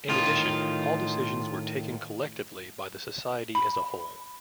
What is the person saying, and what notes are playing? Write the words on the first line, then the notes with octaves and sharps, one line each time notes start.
In addition, all decisions were taken collectively by the Society as a whole.
A2 D#3 F4
B5